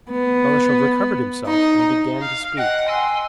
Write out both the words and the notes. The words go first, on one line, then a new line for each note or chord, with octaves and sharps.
Balashev recovered himself and began to speak.
B3
D#4
F5
D#5 F#5 G5
G#5 C6 E6